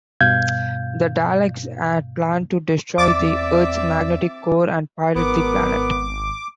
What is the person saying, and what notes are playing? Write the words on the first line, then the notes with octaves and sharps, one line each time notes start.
The Daleks here plan to destroy the Earth's magnetic core and pilot the planet.
G2 B2 F5 G6 G#6
E2 C4 D5 E5 D6 A6
G#1 B3 A#4 D6